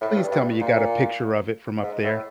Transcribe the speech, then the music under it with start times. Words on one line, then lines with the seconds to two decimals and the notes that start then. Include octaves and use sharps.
Please tell me you got a picture of it from up there.
0.01 A2
0.16 G2
0.31 G2
0.61 A#2
1.83 G#2
2.03 A2